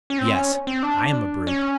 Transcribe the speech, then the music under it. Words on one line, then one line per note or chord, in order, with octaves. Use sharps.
Yes, I am a brute.
C#4
C4
C#4
C4
D4
C#4